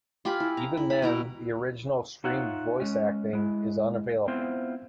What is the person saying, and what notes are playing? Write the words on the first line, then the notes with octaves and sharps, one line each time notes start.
Even then, the original streamed voice acting is unavailable.
F4 G4 G#5 B5
E4
A#5
E4
B5
B2 E4 A#5
D#4 F4 C#5 E5 F#5
G#3 C#4
G#3 E4
B3 C4 E4 F4 C5